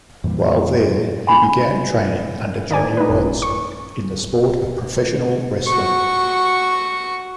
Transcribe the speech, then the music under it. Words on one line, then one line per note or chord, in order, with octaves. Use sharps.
While there, he began training under Johnny Rodz in the sport of professional wrestling.
F2 A#2 E3 G3
G#5 B5
D#3 D5 G#5
D#4 B4
G#1 F#2
C#6
F#4 C#6